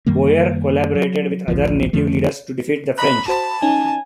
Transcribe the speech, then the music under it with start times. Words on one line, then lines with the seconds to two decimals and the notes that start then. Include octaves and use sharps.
Boyer collaborated with other native leaders to defeat the French.
0.06 F#2 D#3 G3 A#3
0.95 F#3
1.48 A1 D2 F3
1.93 F2 D3 F3 A3
2.98 D#5 A#5 B5 F#6
3.28 F#4 C5 A5 B5
3.62 C#4 D#4 G#5